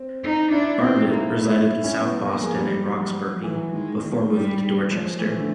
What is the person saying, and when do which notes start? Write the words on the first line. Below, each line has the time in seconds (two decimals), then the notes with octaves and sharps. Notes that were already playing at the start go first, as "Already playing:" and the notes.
Bartlett resided in South Boston and Roxbury before moving to Dorchester.
Already playing: C4
0.23 D#4
0.52 D4 E4
0.81 C4 D#4
1.10 A#3 E4
1.39 A3 E4
1.54 E4
1.69 G#3
1.84 C#4
1.97 F#3 B3
2.27 F3 A#3
2.42 G#3
2.56 G3
2.85 F3 F#3
3.14 F3
3.43 E3 F#3
3.72 D#3 G#3
4.02 D#3 G#3
4.31 G3
4.89 F3 G#3
5.18 E3 A3
5.38 D3